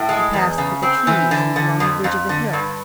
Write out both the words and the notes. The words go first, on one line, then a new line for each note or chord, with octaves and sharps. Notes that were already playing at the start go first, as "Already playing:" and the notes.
He passed through the trees and along the ridge of the hill.
Already playing: A2
G#3
E2
C#3
C4
E3
D3
D3
F2
F2
D3
G2